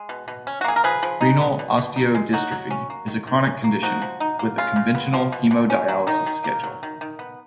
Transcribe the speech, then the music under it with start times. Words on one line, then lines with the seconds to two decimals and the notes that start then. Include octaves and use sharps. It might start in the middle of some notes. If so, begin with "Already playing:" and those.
Renal osteodystrophy is a chronic condition with a conventional hemodialysis schedule.
Already playing: G#3
0.09 B2
0.28 B2
0.47 C#4
0.61 F#4
0.64 A#3 G#4
0.76 A#4
0.84 F3 G#4 B4
1.03 F3
1.21 D#4
1.40 B3
1.59 B2
1.78 B2
1.96 D#4
2.15 G#3
2.33 F#3 D#4 F#4
2.52 F#3
2.70 C#4
2.90 A#3
3.08 D#3
3.27 D#3
3.45 C#4
3.64 A#3
3.82 F3 D#4 F#4
4.02 F3
4.20 D#4
4.39 A#3
4.58 C#3 F4
4.76 C#3
4.95 B3
5.14 F3
5.32 B2
5.51 B2
5.70 C#4
5.88 F#3
6.07 D#3 D#4
6.26 D#3
6.44 A#3
6.63 F#3
6.83 D#3
7.01 D#3
7.19 B3